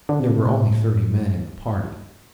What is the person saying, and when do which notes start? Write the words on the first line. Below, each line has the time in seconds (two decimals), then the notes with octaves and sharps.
There were only thirty men in the party.
0.09 D3
0.20 C3
0.46 A2